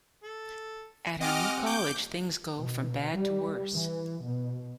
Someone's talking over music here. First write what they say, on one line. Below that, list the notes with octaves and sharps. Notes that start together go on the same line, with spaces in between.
At her new college, things go from bad to worse.
A4
C4 G4 D#5 F#5 G#5 D6 F6
D6 G6
B2
G3
E3
B2